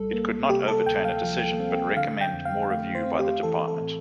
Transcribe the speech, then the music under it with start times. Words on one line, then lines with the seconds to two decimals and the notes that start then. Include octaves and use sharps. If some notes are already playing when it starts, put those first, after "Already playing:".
It could not overturn a decision, but recommend more review by the department.
Already playing: C2 A#2 G3 A4
0.13 A#3
0.49 C3 G4
0.68 A4
0.86 D2 G5
1.05 F5
1.24 F3
1.60 C4
1.97 D3 F5
2.21 G5
2.33 F2
2.45 F5
2.62 G5
2.70 A3 F5
2.95 C5
3.06 C4
3.19 G4
3.43 E3 A4
3.68 A4
3.81 A2